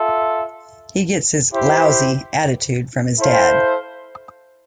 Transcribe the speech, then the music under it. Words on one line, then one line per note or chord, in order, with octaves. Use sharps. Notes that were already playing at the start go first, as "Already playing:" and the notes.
He gets his "lousy" attitude from his dad.
Already playing: F4 A4 E5
E4 G4 C5
E4 A4 C5 F5